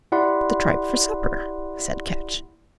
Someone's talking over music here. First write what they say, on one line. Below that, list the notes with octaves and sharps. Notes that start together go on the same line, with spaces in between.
"The tripe for supper," said Ketch.
E4 G4 D5 F#5 B5 C6